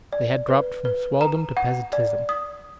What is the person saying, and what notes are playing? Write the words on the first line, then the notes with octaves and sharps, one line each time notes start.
They had dropped from swelldom to peasantism.
D5
B4
B4
A#5
F#5
D5
D#6